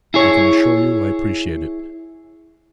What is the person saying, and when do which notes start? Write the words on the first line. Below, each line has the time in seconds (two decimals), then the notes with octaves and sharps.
I can assure you I appreciate it.
0.14 E4 G#4 C#5